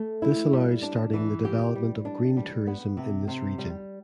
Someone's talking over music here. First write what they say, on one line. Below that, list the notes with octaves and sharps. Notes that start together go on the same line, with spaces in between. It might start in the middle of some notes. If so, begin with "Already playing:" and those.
This allowed starting the development of green tourism in this region.
Already playing: A3
E4
G3
D4
E3
G4
G3
D4
G3
B3
C3
C3
G3